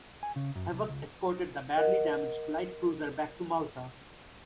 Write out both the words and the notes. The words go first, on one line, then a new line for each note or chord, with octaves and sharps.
"Havock" escorted the badly damaged light cruiser back to Malta.
G#5
C#3
F#2
C2
C#2
A#4 D#5 F#5 F#6